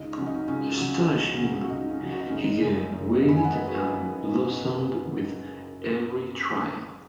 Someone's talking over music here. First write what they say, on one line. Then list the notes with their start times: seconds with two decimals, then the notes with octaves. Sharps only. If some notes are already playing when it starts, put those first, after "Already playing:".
Astonishingly, he gained weight and blossomed with every trial.
Already playing: C#2 D#4
0.18 C#3 F#3 C#4
0.26 D#4
0.34 C#4
0.48 C#2 C#4
0.78 C#3 F#3
1.09 C#2
1.39 C#3 F#3
1.63 F#4
1.70 C#2 D#4
1.90 C#4
2.00 C#3 F#3
2.11 F#4
2.19 D#4
2.27 F#1 C#4
2.36 D#4
2.61 F#2 C#3 G#3
2.92 F#1
3.22 F#2 C#3 G#3
3.29 B5
3.36 G#5
3.44 F#5
3.52 F#1 B4 D#5
3.67 F#4 B4